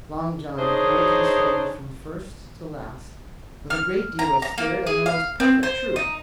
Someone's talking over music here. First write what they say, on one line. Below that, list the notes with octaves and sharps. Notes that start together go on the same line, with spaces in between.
Long John told the story from first to last, with a great deal of spirit and the most perfect truth.
D4 D#4 G#4 C5 C#5 D#5
F6
A#5
A#5
A#3
G#4
F5
C4
C5
D#4